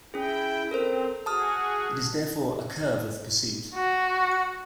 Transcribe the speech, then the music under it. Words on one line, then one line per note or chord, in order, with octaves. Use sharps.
It is therefore a curve of pursuit.
C#4 E4 G#4 G5
C4 A4 A#4 C5
F#4 G#4 A5 D#6 F6
F#4